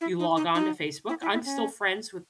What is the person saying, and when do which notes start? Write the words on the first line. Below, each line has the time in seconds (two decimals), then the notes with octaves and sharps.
you log on to Facebook I'm still friends with
0.01 E4
0.19 D#4
0.37 D#4
0.55 D#4
1.09 E4
1.22 E4
1.33 E4
1.45 C#4